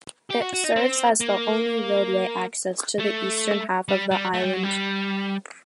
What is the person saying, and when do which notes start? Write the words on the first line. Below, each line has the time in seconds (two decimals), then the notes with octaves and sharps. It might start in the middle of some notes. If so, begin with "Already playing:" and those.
It serves as the only roadway access to the eastern half of the island.
0.30 G4
0.42 F#4
0.54 F#4
0.65 D#4
0.76 C4
1.21 A#3
2.99 A3
3.89 G3
4.11 G3
4.34 A3
4.43 G3
4.54 F#3
4.63 G3